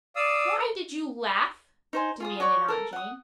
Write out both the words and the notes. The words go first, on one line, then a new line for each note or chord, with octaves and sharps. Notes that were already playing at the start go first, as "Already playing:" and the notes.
"Why did you laugh." demanded Aunt Jane.
D5 F5 D#6 E6
D#4 C5 G#5
F4 G#4 D#6
F#4 C#5 D5 C#6
A4 A#4
F#5 D#6